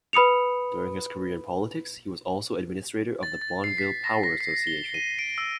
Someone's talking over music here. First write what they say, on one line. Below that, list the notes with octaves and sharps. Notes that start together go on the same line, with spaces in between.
During his career in politics, he was also administrator of the Bonneville Power Association.
B4 B5 D#6 C#7 F7
A6
A6
C7
B6
A#6
A#6
C7
G7
D#7
D7
E6